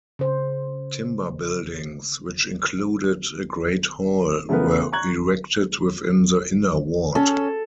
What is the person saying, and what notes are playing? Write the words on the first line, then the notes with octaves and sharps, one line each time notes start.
Timber buildings, which included a great hall, were erected within the inner ward.
C#3 C5
C#3 E3 A3 B3 A#4 B4
A#5 C#6 F#6 G#6 F#7
C#4 A4